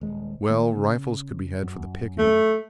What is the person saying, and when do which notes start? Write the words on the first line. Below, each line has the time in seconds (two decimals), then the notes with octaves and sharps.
Well, rifles could be had for the picking.
0.01 D#1 G#3
0.49 D#3 A#3
0.76 C#3
1.63 F#2
2.18 A3